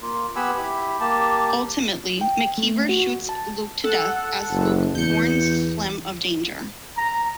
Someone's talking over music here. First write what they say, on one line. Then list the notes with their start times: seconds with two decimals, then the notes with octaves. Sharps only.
Ultimately, McKeever shoots Luke to death as Luke warns Slim of danger.
0.02 A#3 F4
0.36 B3 G4 F#5 G#5 B5 E6
0.57 E4 G4 B5
1.00 A#3 G4 A5
2.21 G5
2.58 A3
2.89 F#4
3.29 A5
3.84 A4 F#5
4.52 F#1
4.95 E2 G6 C#7
6.97 A#5